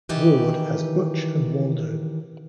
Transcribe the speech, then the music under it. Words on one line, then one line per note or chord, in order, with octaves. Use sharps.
Ward as Butch and Waldo.
D#3 E3 G4 B4